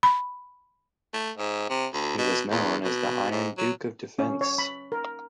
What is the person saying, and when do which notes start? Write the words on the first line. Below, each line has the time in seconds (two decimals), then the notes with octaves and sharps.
He was known as the Iron Duke of Defense.
0.03 B5
1.14 A3
1.37 G#2
1.70 C3
1.93 D2
2.18 B2
2.51 E2
2.84 B2
3.31 G#2
3.58 F#3
4.19 C#4
4.41 C#5
4.58 B5
4.92 A#4